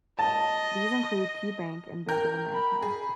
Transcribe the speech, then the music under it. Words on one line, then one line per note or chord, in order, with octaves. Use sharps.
These include Key Bank, and Bank of America.
D#5 A5
A#4 G5 G6
B5
G#4